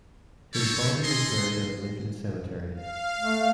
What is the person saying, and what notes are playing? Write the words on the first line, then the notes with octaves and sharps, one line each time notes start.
His body was buried at Lincoln Cemetery.
A3 A#3 A4 C5 C#5
G#4 A4 D#5 C6
F5
A3